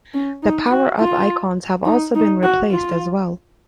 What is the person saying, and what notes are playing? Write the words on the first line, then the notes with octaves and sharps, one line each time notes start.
The power-up icons have also been replaced as well.
C#4
D#4
F#4
F4
D#4
D#4
F#4
F4